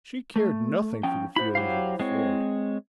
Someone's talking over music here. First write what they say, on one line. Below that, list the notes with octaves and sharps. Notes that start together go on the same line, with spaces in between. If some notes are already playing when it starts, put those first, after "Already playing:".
She cared nothing for the feelings of a ford.
A3
F3 C#4 G5
E4 F#4 C5 B5
F#3 G4 F5
G#3 C4 C#5